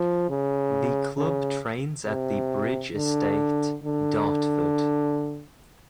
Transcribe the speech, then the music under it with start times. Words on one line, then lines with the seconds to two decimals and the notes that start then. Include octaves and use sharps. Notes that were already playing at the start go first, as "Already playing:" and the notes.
The club trains at The Bridge Estate, Dartford.
Already playing: F3
0.30 C#3
1.18 C#3
2.07 C3
2.95 D3
3.84 D3